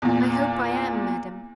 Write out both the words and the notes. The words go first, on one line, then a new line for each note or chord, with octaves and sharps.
"I hope I am, madam."
E2 A#2